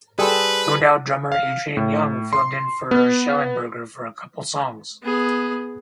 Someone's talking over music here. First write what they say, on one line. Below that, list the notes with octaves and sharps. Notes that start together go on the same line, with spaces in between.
No Doubt drummer Adrian Young filled in for Shellenberger for a couple songs.
G3 G#4 A4 B4 C5
F5
A2
C6
B3
B3 G#4